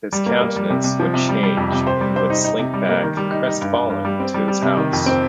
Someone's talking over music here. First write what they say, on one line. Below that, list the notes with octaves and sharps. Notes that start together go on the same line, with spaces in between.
His countenance would change and he would slink back crestfallen to his house.
G3
A#3
A#3
G3
C3
C3
F3
C3
G3
G3
F2
C3
C5
G3
C5
D#4
D#4
C3
G3
A#3
D#3
G3
D#4
D#4
G2
G2
G2
G3
C4
G3
G3
C3
D#3
F2
C4